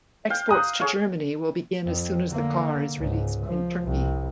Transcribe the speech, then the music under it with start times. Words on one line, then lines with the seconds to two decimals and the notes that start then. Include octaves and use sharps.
Exports to Germany will begin as soon as the car is released in Turkey.
0.30 F5 G5
0.49 A#5 D#6 F#6
0.80 G#4 C#5 F5
1.86 F2
2.29 D3 A#3
2.97 C#2 G#2
3.46 F3
3.83 C2